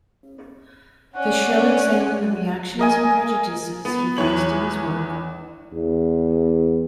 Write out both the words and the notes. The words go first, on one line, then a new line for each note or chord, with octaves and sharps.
The show examined the reactions and prejudices he faced in his work.
C#4 D5 F#5
A#4 D#5 G#5
B3
E2 E3 C#5 F#7
E2